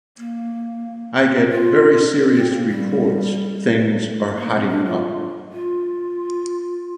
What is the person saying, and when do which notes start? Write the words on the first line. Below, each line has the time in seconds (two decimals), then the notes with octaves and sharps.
I get very serious reports things are hotting up.
0.18 A#3
1.51 F4
2.35 C4
2.52 A#3
2.68 G3
4.19 G3
4.36 A#3
4.53 C4
4.69 D4
4.87 F4
5.53 F4